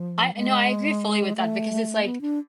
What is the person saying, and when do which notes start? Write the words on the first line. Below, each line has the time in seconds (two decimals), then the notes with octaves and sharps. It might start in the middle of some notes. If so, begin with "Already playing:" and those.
I I know, I agree fully with that because it's, like,
Already playing: F3
0.35 G#3
1.36 A3
2.04 B3
2.21 D4